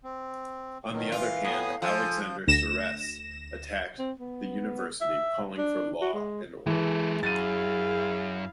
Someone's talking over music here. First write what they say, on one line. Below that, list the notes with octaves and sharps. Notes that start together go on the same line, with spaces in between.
On the other hand, Alexander Sceresse attacked the University, calling for law and order.
C4
B2 D#3 F#3
E3 F4
A2 B3 G#5 D#6
F3 F4 A4 G#5
D2 A#6 E7
C4
B3
E5
D4
F#4
G#3
E3 G#3 G#4 A4
F#2 E4 F5 A6 D#7